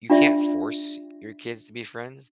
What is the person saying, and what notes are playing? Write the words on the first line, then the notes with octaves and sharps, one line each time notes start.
you can't force your kids to be friends,
D4 F4 G4 D5 E5